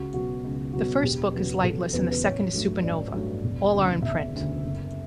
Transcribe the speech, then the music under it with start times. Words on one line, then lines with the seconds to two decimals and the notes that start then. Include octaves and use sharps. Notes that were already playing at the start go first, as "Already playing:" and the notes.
The first book is "Lightless" and the second is "Supernova", all are in print.
Already playing: C#2 F#4
0.13 B2 F#3 B3 F#4
0.45 C#2
0.73 B2 F#3 B3 F#4
1.03 E1 G4
1.34 E2 C#3 F#3 B3
1.64 E1 A4
1.93 E2 C#3 F#3 B3 B4
2.11 B4
2.23 A1 C#5
2.53 G2 F#3 A3
2.83 A1 D5
3.14 G2 F#3 A3
3.44 E1
3.73 D2 C#3
4.02 E1 E5
4.32 D2 C#3
4.63 F#1